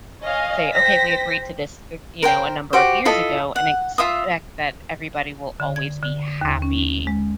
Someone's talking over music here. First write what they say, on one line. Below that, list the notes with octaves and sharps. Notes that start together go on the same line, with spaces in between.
say, "Okay, we agreed to this, you know, a number of years ago and expect that everybody will always be happy."
C#5 D#5 F5 G#5
C5 G5 A#6 B6
A#4 C5 G5
F#4 G4 C5
E4 F4 A4 D#5
F#5
F4 E5 C6 D#6
D3
G#6
D3
D#2
C#4
G#3